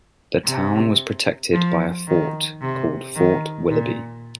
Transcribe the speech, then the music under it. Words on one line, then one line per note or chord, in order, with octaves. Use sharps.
The town was protected by a fort, called Fort Willoughby.
C3
F3
D#3
C3
D#3
A#2